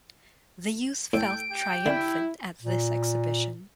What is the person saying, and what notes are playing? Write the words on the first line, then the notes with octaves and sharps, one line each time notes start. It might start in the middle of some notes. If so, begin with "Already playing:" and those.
The youth felt triumphant at this exhibition.
A2 A4 G5 D7
G4 G5
D3 E4
A#2